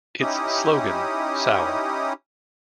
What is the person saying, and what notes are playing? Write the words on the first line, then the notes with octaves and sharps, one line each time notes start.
Its slogan, Sour.
C#4 D#4 E4 G4 D#6